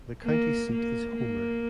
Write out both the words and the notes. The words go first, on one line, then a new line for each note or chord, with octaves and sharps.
The county seat is Homer.
A#3
A#3
A#3